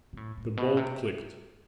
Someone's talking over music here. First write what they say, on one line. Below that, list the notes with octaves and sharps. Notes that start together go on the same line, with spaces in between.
The bolt clicked.
B2
A2
A2
B2
C3